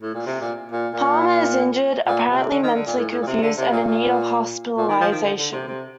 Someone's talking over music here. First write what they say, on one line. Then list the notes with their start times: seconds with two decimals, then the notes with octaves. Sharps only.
Parma is injured, apparently mentally confused, and in need of hospitalization.
0.02 A2
0.14 A#2
0.26 C3
0.41 A#2
0.71 A#2
0.94 A#2
2.07 A#2
2.30 C3
2.52 D3
2.63 D#3
2.74 D3
2.86 A#2
2.97 A2
3.12 A2
3.22 A#2
3.27 C3
3.42 D3
3.57 C3
3.72 A#2
3.87 A#2
4.77 A#2
4.88 D#3
5.00 F3
5.11 D#3
5.23 D3
5.38 D3
5.53 C3
5.67 C3